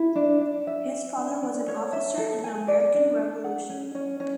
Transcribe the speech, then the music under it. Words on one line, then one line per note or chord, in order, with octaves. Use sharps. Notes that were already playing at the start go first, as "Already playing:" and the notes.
His father was an officer in the American Revolution.
Already playing: E4
D4
D4
E5
E5
D4
D5
C#5
E5
A4
G#5
D5
D4
D4
F#5
C#4
C#4
C#4